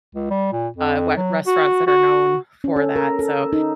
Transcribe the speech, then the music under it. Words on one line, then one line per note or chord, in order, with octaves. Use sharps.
uh, we restaurants that are known for that, so
C#2
G3
A#2
F2
F#3
F#4
F#4
C#4
A4
A#4
A4
D#4